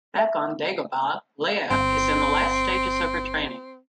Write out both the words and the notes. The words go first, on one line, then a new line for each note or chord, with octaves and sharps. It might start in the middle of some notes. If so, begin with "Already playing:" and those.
Back on Dagobah, Leia is in the last stages of her training.
E5
G1 C4